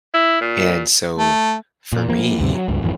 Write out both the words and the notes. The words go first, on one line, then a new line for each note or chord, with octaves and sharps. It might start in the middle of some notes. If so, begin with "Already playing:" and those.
and so, for me,
E4
A#2
A3
A#2
F3 A#3
D2 G2 C3
F#3
C#2 G2
G#1 F2 E3